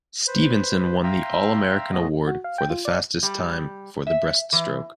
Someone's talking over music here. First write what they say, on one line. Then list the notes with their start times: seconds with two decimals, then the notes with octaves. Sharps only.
Stevenson won the all American award for fastest time for the breast stroke.
0.27 B4 C5
1.03 E5 F5 G5 A#5 C6 E6
1.92 F2 A#2 G#3 A3 B3 D#5
2.27 F#4
2.44 F5
2.58 G5
2.70 F4
2.85 D5
3.23 G3
4.07 E5
4.53 E3